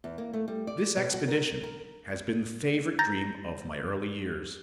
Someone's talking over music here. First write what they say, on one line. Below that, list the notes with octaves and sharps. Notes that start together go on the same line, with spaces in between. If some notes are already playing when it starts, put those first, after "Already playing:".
This expedition has been the favourite dream of my early years.
E2
A#3
A3
G3
D5
B2
F#4
A#4
A#4
A#5 G6 A6 A#6